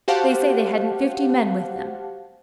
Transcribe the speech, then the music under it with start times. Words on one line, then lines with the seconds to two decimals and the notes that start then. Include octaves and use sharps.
They say they hadn't fifty men with them.
0.08 F#4 G4 C5 F5 F#5 A5